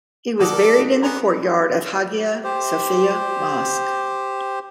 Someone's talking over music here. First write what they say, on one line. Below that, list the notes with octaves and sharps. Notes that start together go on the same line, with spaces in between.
He was buried in the courtyard of Haghia Sophia Mosque.
D#2 A4 D5 F#5 D#6
A#4
B3 D#4 F#4
B3 G#5 A#5 C6
G4 C5